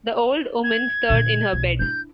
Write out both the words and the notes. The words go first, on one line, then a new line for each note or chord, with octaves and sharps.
The old woman stirred in her bed.
G#6
A#2 D3
B1
D4 E4 G6